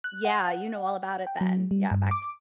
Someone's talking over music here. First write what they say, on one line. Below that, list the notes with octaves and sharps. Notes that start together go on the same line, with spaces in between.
yeah, you know all about it then. Yeah, back
F#6
F#5
G5
F#3
G3
G2
D6